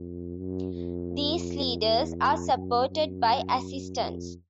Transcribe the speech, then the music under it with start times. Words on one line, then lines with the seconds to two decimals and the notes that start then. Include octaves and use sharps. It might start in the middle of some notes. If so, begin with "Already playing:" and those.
These leaders are supported by assistants.
Already playing: F2
0.38 F#2
0.74 F2
1.81 E2
2.17 F2
2.53 F#2
2.89 F#2
3.96 F2